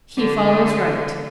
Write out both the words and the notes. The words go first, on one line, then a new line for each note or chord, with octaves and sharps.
He follows right.
D3